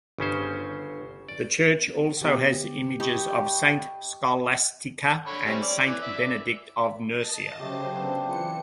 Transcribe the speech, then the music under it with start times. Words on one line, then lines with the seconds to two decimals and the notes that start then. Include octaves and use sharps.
The church also has images of Saint Scholastica and Saint Benedict of Nursia.
0.18 G1 C#3 C#4 C5
1.29 D5
2.21 D3 B3 G4 G#5
3.00 G4 D#5 A5 B5 C#6
5.27 D3 C#5 B5
5.45 G3 C4 C#4
5.62 D5
5.86 E3
6.02 D5 E5
7.15 D#5 A5 A6
7.58 C#3 F#3 A3 G4 C5 F5
7.95 B3 C4 D4
8.28 E3 F4 G#4 B4 C#7